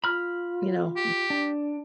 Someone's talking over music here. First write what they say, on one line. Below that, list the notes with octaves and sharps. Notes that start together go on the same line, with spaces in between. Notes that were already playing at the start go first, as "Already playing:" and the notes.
you know,
F4 B5 F6
G4
D4